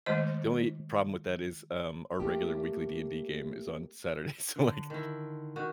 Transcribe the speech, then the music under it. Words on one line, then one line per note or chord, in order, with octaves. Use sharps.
the only problem with that is, um, our regular weekly D&D game is on Saturday, so, like,
D#3 G#3 A3 C5 D#5
A3 A#3 G4
D3
D#3 E4
D#3 F#4